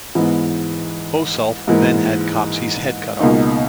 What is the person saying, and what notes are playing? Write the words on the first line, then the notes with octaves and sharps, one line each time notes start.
Osulf then had Copsi's head cut off.
G#2 E3 B3
G#2 E3 A#3
C#2 B2 A#3 D#4